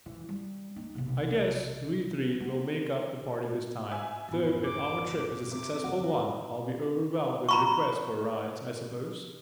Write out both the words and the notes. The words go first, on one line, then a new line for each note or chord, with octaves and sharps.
"I guess we three will make up the party this time, though if our trip is a successful one I'll be overwhelmed with requests for rides, I suppose."
E3
G3
A#3 D#4
B1 C3
B3
E5 G#5 E6
A1 F#2 B3 E4
D6
C3 D6
F#2 D3 F#4
A#5 B5 C#6